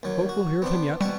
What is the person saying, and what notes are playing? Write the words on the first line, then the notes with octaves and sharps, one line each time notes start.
"Folk will hear of him yet."
D#2 F#3
F#4
B3 C4 D4
B2 G3 F#5 C#6